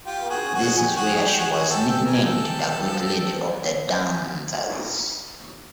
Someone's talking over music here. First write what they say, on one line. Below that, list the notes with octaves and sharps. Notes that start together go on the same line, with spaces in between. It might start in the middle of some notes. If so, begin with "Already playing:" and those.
This is where she was nicknamed "The Great Lady of the Danzas".
F4 G4
F#4 G#4
F#4 G#4
G#4
G4
F#4 G#4
G#4
G4
F#4 G#4
F#4 G#4
G4 A4
G4 A4
G#4 A#4
G4 A4